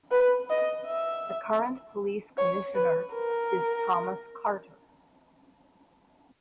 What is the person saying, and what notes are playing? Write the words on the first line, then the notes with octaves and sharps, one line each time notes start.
The current Police Commissioner is Thomas Carter.
B4
D#5
E5
C#5
B4
A#4